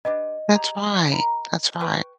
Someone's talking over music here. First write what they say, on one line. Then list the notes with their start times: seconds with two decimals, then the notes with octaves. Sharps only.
That's right. That's right.
0.05 D4 G4 B4 D#5
0.52 G4 G#4 A#5
1.12 A#4 A#5 B5
1.81 B4 G5 C#6